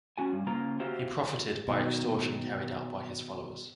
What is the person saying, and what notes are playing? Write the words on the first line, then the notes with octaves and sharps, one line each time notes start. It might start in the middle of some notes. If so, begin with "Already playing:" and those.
He profited by extortion carried out by his followers.
C#4 F#4 G#5
G2
C#3 A#3 F4 C5 A#5
F#4 G4 C5 E5 F5
B2 D#3 F#3 C#5